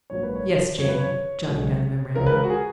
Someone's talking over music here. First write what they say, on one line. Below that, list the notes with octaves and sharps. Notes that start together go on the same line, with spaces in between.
"Yes, Jane," jotting down the memorandum.
A#1 G#2 F#3 A#3 C#5
B4
C#5
F#2 C#3 F3 C#5
B4
C#5
B1 B2 G#3
C#2 C#3 F3 G#3 A#4
B4
A#4
F#4
G#4